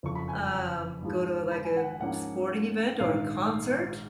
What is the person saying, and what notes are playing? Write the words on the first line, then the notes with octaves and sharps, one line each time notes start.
Um, go to, like, a sporting event or a concert.
F#1 F2 F3 C#6
B5
G#5
G#2 F3 G#3
B5
G#5
F#5
F#5
G#2 F3 A#3 C#4 F#5
A#1 G#2 D#3 F5